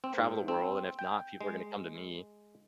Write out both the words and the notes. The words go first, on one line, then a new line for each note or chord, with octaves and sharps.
travel the world, and if not, people are gonna come to me,
C4
G#2
C4
G5
G#3